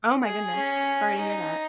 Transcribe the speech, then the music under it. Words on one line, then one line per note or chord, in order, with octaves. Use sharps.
Oh my goodness. Sorry to hear that.
G#4
C#4
D#4